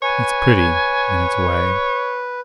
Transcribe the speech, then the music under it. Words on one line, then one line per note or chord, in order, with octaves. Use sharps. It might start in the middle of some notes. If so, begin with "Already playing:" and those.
It's pretty in its way.
B4 C#5 G#5